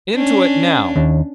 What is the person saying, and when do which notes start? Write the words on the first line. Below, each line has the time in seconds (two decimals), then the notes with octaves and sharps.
Into it, now!
0.15 C#4 D4
0.96 D#2